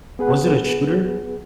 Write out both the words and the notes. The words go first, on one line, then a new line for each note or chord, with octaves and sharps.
was it a shooter?
B3 G#4 B4 F#5